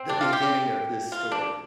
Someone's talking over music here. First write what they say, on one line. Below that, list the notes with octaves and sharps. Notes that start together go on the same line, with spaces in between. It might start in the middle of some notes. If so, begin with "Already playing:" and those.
the beginning of this story.
Already playing: C4
D4
F4
G4
F4
D4